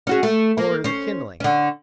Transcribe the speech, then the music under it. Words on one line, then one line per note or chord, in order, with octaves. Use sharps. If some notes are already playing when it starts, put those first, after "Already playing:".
I'll order the kindling!
C#4 F#4 G#4
A3
A#3
C#4 C5
D3 C#4